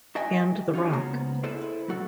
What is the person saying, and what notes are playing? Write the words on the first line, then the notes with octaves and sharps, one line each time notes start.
And the rock.
F#4 B4 D#5 E5 G5 G#5
D#4 F4 F#4 G#4 C#5
C#2 A#3 B3 C5 G#5 A#5
E4 G#4 A4 B4 C5 E5
F#3 A3 F#4 A4